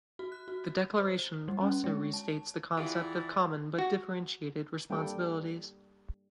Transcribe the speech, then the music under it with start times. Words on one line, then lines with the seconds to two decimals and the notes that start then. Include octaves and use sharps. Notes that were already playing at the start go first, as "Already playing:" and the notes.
The Declaration also restates the concept of common but differentiated responsibilities.
0.19 F#4
0.32 F#6
0.48 F#4
1.00 C5
1.48 G3
1.61 C#4
1.84 G#3
2.14 A5
2.78 E2 E3 F4 G4 G#4 D5
3.79 F#4
4.90 G3 A#3 D4 A4 G5